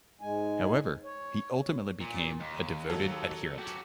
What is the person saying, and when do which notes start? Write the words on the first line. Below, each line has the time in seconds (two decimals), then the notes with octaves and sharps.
However, he ultimately became a devoted adherent.
0.21 G#2 G#3 G#5
1.04 C#5
2.01 A#2
2.40 D#2
2.90 F#3 A4
3.58 F#4 G4